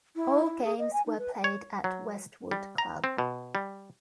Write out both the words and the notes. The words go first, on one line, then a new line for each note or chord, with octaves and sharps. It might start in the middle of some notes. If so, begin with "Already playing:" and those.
All games were played at Westwood Club.
E4
E4
G#4
D#5
G#5
D#4
B4
C#5
F#3
G3
A#5
C4
B2
G3